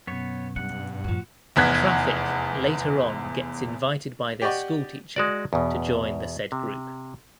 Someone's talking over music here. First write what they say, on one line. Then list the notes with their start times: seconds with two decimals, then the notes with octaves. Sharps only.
Traffic later on gets invited by their school teacher to join the said group.
0.07 F#2 B2 B3 C#5
0.56 G2 G3 F#5
1.04 F#2 A2 F3 F#4
1.56 F1 E2 B3 F#6 G#6 B6
4.42 G4 D5 D#5 F#5 C#6
5.16 G#3 F#4 D5
5.53 E2 B2
6.52 C3